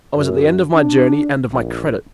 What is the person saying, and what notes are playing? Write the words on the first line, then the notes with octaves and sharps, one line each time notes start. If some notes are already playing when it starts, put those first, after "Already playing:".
I was at the end of my journey and of my credit.
F#2
D4
A#1